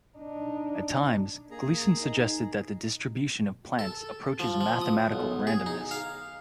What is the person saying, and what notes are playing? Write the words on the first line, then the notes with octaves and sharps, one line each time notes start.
At times, Gleason suggested that the distribution of plants approaches mathematical randomness.
D4 D#4
A#3 G#4 A#5
D#4
A4
F3
F3
D#6
B1
G#4
D#4
F5